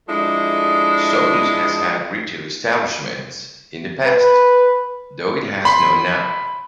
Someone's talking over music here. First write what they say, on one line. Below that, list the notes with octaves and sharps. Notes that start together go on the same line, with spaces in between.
Sodus has had retail establishments in the past, though it has none now.
F3 G#3 A3 D4 E4
B4
B5 C6